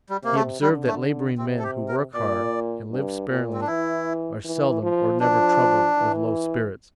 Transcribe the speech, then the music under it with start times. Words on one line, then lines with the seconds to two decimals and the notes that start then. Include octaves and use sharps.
He observed, that labouring men who work hard, and live sparingly, are seldom or never troubled with low spirits.
0.09 G3
0.23 C3 A#3
0.35 A3
0.61 D3 G3
0.87 A3
1.38 C3 C4
1.59 A4
1.63 G4
1.88 A#4
2.14 A#2 D5
2.91 G2
3.29 A#2
3.53 C4
3.61 D4
3.67 E3 E4
4.44 E3
4.82 F3
5.20 F3 D4
5.97 E3